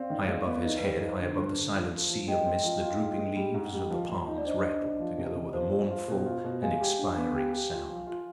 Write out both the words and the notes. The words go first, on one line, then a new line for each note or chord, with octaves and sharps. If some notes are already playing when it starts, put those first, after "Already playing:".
High above his head, high above the silent sea of mist the drooping leaves of the palms rattled together with a mournful and expiring sound.
Already playing: C4 D5 F5
D#3
G#3
B3
D#4 B4
G3 B4
D#4 C5
D3
G2
D3
F3
F3
F3
G#3 D#5 G5
C4
F3
F4
G#3
G#3
G3
G#2
G3
F3
F3
D#4
D5
D4 C5 D#5
D4
D4
F3
C3
C3
F3 C5
F3
F4
B2
F4
B2
G#3 F5 G#5
G4
D4
B3
G4
G4
F4
F3
F4